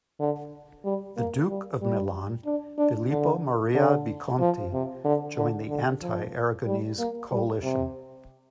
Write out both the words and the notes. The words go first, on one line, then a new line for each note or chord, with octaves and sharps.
The Duke of Milan, Filippo Maria Visconti, joined the anti-Aragonese coalition.
D3
G3
A#3
G3
G3
D4
D4
D3
D3
F3
C3
D3
D3
D3
F3
G3
A#3
G3
C3